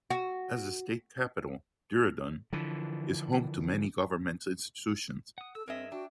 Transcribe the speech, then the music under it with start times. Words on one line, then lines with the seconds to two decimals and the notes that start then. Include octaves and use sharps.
As the state capital, Dehradun is home to many government institutions.
0.10 F#4
2.53 D3 E3 F3
5.38 F#5 D#6
5.55 A4 E6
5.68 G2 C4 G#4 A#4 D#5 E5
5.92 D4 F#4 G5